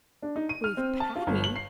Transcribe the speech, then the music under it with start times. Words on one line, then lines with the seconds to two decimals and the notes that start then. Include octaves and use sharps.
"With Patty!"
0.22 D4
0.36 D#4
0.49 D#7
0.64 F6
0.77 C4
1.00 A5
1.16 F4
1.27 G1
1.44 F#7
1.56 C7